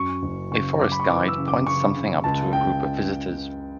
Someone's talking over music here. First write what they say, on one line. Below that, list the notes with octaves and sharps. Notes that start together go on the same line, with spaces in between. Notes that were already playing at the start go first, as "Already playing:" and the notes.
A forest guide points something up to a group of visitors.
Already playing: F#2 C#6
F#1
C#3 C#6
F#2 D6
B5
C#6
E3 D6
E6
C#3
D6
C#3 C#6
C#3
C#2 A5
C#2 G5